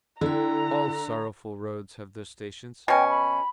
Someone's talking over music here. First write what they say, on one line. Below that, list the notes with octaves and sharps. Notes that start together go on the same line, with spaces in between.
All sorrowful roads have their stations.
D3 E4 G5 A#5
B2 C#4 G5
B5